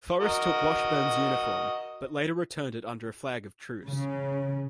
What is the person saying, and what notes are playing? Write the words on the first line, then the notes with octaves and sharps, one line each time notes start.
Forrest took Washburn's uniform, but later returned it under a flag of truce.
F#4 A#4 D#5
C#3